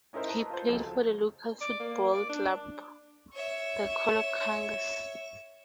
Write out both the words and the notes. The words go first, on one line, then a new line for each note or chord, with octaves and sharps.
He played for the local football club the Colo Cougars.
C#4 D#4 E4 A#4 C5
B4 D#5 A5 A#5
F4 C5
C#2 F3 F#3 A4
D5
A#3
D5
D4
C#5 E5